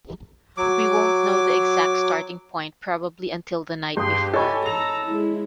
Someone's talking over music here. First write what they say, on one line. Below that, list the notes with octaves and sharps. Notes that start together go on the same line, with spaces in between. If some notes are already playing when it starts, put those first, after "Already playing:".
We won't know the exact starting point probably until the night before.
F#3 D6
G2 G4 G#4 C6 D#6
A4 C#5 D#5 G#5 B5 C#6
A4 A#5 F7
G#3 E4